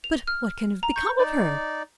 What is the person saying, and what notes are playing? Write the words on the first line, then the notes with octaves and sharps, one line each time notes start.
"But what can have become of her?"
F7
F6
A#5
C#6 G6
D#4 D5